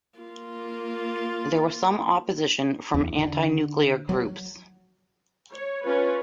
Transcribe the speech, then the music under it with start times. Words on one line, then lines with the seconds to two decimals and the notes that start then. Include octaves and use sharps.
There was some opposition from anti-nuclear groups.
0.19 A#3 F4
2.94 E2
3.18 D3
4.09 F#3
5.50 C#5
5.86 C#4 F4 B4